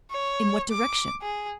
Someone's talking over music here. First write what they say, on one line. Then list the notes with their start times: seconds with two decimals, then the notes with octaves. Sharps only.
In what direction?
0.11 C#5
0.71 D6
1.22 G#4